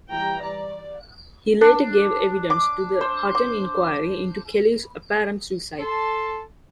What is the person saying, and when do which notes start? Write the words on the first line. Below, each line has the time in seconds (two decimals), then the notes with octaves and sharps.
He later gave evidence to the Hutton Inquiry into Kelly's apparent suicide.
0.11 E3 G3 G5 A#5
0.43 D5
1.61 D4
2.50 D6
3.01 C5
3.35 D6
5.79 A4 A5 C6